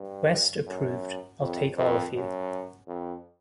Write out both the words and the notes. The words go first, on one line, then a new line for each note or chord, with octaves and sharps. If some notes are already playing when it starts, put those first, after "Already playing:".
West approved, I'll take all of you.
Already playing: G2
F#2
F2
F2
F#2
F2